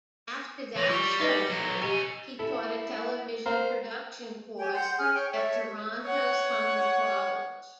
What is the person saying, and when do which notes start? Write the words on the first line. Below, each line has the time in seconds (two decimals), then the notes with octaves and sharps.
After that show ended, he taught a television production course at Toronto's Humber College.
0.76 E3 C#5 A#6
0.89 G3 F4 C#6 E6 F7 G7
1.20 D#4 B4 D#5 A#6 C#7 G7
1.50 B1 F#3
1.82 C3 G4 D#5 G#5 A#5 C#6
2.39 E4 A4
3.46 A#4 C5 F5
4.59 G4 G5 G#5
4.75 F#5 C6 G6
4.98 C#4 G#4 F6
5.13 C#5 G5
5.32 A4 C#5 E5
6.03 C#5 F#5